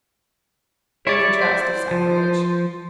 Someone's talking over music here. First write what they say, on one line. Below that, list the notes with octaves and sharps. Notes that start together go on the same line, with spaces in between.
It was a joust of sacrilege.
E4 C#5 D5
C5
F3